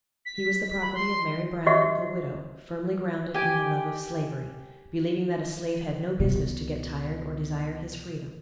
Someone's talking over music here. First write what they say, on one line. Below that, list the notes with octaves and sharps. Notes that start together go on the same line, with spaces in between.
He was the property of Mary Brown, a widow, firmly grounded in the love of Slavery; believing that a slave had no business to get tired or desire his freedom.
B6
B6
B5
C6
F#4 G4 C#5 D#5 E5 F#5
G4 G#5
C#2 B2